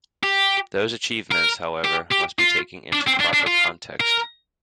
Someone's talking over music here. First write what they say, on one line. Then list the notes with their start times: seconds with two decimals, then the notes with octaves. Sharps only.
Those achievements, however, must be taken into proper context.
0.23 G4
1.32 A#4
1.85 G4
2.12 G4
2.39 F4
2.93 D4
3.07 C4
3.20 D4
3.34 D4
3.47 F4
4.00 A#4